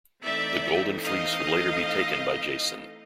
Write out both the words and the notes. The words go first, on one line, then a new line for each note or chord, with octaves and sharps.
The Golden Fleece would later be taken by Jason.
E3 A3 C4 D#4 D5 E5
D#5 F5